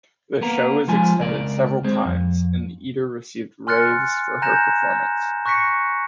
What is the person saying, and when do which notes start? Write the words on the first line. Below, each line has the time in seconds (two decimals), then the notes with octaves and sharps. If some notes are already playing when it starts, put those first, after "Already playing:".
The show was extended several times, and Eder received raves for her performance.
0.41 A#3 B3 A#4
0.88 F3 G#3 F4 G#5
1.20 C#2 A#4 D5
1.84 G#3 C4
2.05 F2
3.67 G#5 C6 F6 F#6 A6 C#7
4.42 G#5 A#5 F#6 G6 A#6 E7
5.46 C#6 F#6 A#6 B6 C#7